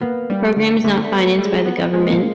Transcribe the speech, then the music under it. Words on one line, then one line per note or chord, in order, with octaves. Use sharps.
The program is not financed by the government.
A#3 B3
G3
D3
D3 A3
A3
B3
A3
G3
G#3
B3
G#3
A#3